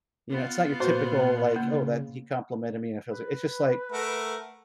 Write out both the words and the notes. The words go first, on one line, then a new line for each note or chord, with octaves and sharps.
you know, it's not your typical, like, "Oh, that he complimented me, and it feels like" it's just, like,
B3 F4
A#2 F#4 B4 C5
C#3 A#3
B4
A3 A#4 F#5